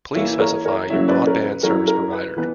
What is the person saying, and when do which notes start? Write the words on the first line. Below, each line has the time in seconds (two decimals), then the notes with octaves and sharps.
Please specify your broadband service provider.
0.15 E3 A#3 E4 C#5 E5
0.40 A#4 C#5
0.65 A#4 C#5
0.89 C#3 F#3 A#3 C#4 E4 C#5 E5
1.08 B4 D5
1.26 A#4 C#5
1.46 B4
1.63 F#3 C#4 E4 A#4 C#5
1.87 A#4
2.13 B4
2.37 E3 B3 B4